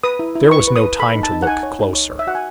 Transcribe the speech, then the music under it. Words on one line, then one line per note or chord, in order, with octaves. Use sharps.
There was no time to look closer.
B4 D#6
E4
E4
B4 C#6
B4
D#6
B4
A4 B5
D#4
A5
D#4
F#5
D#4 G#5
C#5
D#4
C#5
C#5
E5
F#4 F#5
G#5